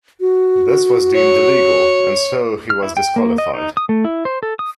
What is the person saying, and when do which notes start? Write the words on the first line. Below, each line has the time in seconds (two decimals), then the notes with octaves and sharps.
This was deemed illegal and so he was disqualified.
0.21 F#4
1.15 C#5
2.70 F6
2.83 E4
2.97 G5
3.16 A#3
3.38 D#5
3.54 D#4
3.77 D#6
3.89 A3
4.04 E4
4.25 C5
4.43 A4
4.59 D#6